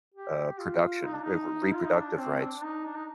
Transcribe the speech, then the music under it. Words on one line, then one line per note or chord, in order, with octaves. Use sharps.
uh, production eh, re reproductive rights
G4
F4
D#4
D4
D#4
F4
D#4
D4
C4
D4
D#4
D4
D#4